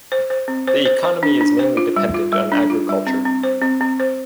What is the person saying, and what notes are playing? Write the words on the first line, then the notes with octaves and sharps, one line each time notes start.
The economy is mainly dependent on agriculture.
C5
C5
C4
C5
C5
C5
D4
D4
C5
F4
G3
F4
G3
D4
F4
G3
C4
C4
C5
C4
C4
C5